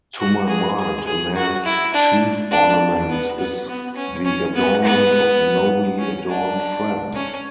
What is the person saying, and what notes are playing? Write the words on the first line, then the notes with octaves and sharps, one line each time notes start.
To my mind a man's chief ornament is the adornment of nobly-adorned friends.
F#4
G#4
G#4
G#4
F#4
E4
D4
D4
B3
B3
B3
C#4
C#4
B3
B3
C#4
D4
C#4